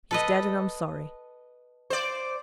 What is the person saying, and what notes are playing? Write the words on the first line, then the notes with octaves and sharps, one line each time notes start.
He's dead, and I'm sorry.
A4 B4 D#5
C5 D5